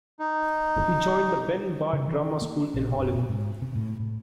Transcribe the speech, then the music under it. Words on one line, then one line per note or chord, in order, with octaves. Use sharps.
He joined the Ben Bard Drama School in Hollywood.
D#4
C#3
E3
A#3
A#1
F#1
B2
G#2
C3
A2
A2